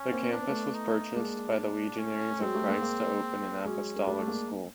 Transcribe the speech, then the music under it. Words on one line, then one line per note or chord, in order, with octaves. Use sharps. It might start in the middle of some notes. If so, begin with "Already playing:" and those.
The campus was purchased by the Legionaries of Christ to open an apostolic school.
Already playing: C#4
A#3 C4
B3 D4
C4
A3 B3
D#4
G#3 A#3 D4
C#4
A3
F#3 G#3 C4
G3 A3
G#3 A#3
G#3 A#3
F#3 G#3 C#4
G#3
G3 A3 D4
A3
G#3 A#3